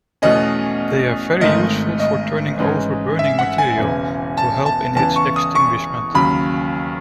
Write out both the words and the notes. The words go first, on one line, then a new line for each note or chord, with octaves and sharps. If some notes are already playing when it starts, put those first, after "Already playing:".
They are very useful for turning over burning material, to help in its extinguishment.
E2 B2 A3 C#4 D#5
G#1 G#2 D#3 A3 D#5
D#5
G#2 E3 G#3 C#4
E5
F#5
G#5
E1 E2 C#3 E3
A5
A5
E2 C#3 E3 A5
C#6
D#6
C#6
D#2 C#3 F#3 B5